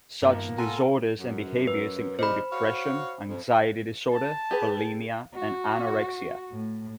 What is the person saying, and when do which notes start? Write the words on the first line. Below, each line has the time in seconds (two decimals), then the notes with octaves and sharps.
Such disorders and behaviors include depression, anxiety disorder, bulimia and anorexia.
0.22 G2 D#3 F3 A#3 B3
0.58 B2 F4 A4 F#5 G#5 A#5
1.19 F#2
1.67 B4
2.19 C3 D4 D#4 C5 B5
2.51 F#4 C#5 F5
3.27 F2
4.13 A5
4.51 G4 G#4 B4
5.35 F#4
6.52 A2